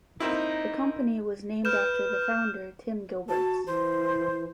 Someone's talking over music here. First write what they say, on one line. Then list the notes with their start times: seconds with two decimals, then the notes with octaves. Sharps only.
The company was named after the founder Tim Gilberts.
0.20 A#3 C4 D#4 E4
1.65 B4 F6 G6 E7
3.29 F#4 A5
3.67 E3 C5